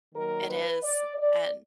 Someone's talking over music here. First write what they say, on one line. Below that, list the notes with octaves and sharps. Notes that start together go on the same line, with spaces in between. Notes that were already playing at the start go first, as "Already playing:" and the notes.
it is, and
D#3 F#3 A#3 A#4
B4
D5
D5